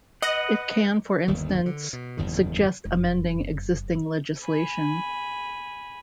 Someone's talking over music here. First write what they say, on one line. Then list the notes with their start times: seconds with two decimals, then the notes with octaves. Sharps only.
It can for instance suggest amending existing legislation.
0.22 B4 D#5 F#5
1.27 G1 D#2 D#3
1.66 D3
1.93 B2
2.17 F#1 E2 G2 D#3
2.85 F1 F#2
4.44 G#5 B5